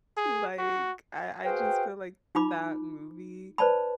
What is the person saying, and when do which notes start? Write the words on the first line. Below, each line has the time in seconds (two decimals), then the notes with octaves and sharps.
Like, I I just feel like that movie
0.17 G#4
0.59 F#4
1.44 F#4 G#4 B4 C5 F5 G5
2.35 D#4 F4 B5 D6
3.58 B4 C5 D5 A5 B5